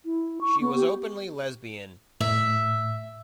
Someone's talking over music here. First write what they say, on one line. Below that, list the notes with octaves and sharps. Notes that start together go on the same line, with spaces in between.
She was openly lesbian.
E4
C#6
B3
G4
A2 E5